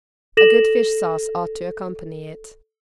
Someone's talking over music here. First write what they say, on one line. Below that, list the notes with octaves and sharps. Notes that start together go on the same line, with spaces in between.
A good fish-sauce ought to accompany it.
A4 A#6 E7 F#7